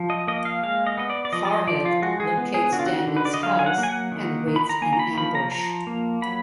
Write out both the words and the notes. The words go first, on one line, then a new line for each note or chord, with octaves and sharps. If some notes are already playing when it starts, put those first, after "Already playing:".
Farhad locates Daniel's house and waits in ambush.
Already playing: F3
D#5
A#3 D#5
F5
G#3 F5
D#5
B3 D#5
D5
D5
F3 D#5
D5
D#5
F3 D5
F4
G#3 F#4
G#4
B3
G#4
D3 F#4
F4
F#4
D3
B4
D5
D#5
F#3 F5
G#5
F#5
A#3
G#5
F#5
D#3
D#3
B5
A#5
A#3 G#5
A#5
B5
F3 B5
A#5
F3 A#5
A#3
F#3 B5